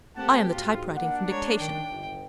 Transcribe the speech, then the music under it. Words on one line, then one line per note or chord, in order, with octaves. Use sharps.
'I am the typewriting from dictation.
A3 A#3 C4 G4 F#5 A5
G#2 F4 F#4
A#3 D4 F#5
G#3 C#5 A#5
D#3 G5
G1